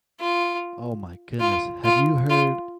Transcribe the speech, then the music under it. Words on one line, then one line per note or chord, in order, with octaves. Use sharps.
Oh my goodness, have you heard
F4
F4
F4
F4